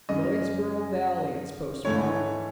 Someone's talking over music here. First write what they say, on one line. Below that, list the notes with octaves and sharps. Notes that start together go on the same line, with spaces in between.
Lloydsboro Valley it's postmarked.
F#2 C#3 G#3 D#5
G#2 E3 A3 C#5